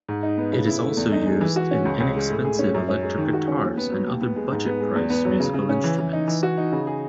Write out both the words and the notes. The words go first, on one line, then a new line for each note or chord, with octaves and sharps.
It is also used in inexpensive electric guitars and other budget priced musical instruments.
G#2
D#4
B3
C#3
E4
A3
E2
D#4
G#3
E3
F#4
C#4
C#2
C#2
G#3
A2
G#4
C#4
F#2
C#4
G#3
D#3
F#4
C#4
D#2
B3
F#3
D#2
B3
G#3
G#2
B3
G#3
E2
B3
F#3
C#3
C#3
C#4
E3
E3
D#4
E3
F#4
D#4
C#3
G#4